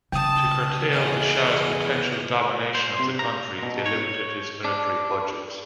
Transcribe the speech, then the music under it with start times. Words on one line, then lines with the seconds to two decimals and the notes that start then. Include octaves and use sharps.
To curtail the shah's potential domination of the country, they limited his military budgets.
0.12 C#3 G5 A5 D#6
0.92 B3 G#4 D#5
2.75 C5
2.99 C3
3.19 A#5
3.63 B2
3.86 C#5
4.65 D4